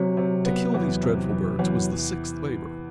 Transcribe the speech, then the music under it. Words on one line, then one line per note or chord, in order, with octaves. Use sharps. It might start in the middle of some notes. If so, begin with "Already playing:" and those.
To kill these dreadful birds was the sixth labor.
Already playing: C3 F#3
C3
B3
E2
C3
E3
E2 F#3